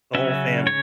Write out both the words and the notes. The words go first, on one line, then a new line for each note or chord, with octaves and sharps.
the whole fam
C#3 F#3 C#4 E5
C#3 C#5